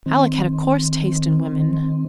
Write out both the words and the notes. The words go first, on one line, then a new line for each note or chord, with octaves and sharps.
Alec had a coarse taste in women.
D#3 C4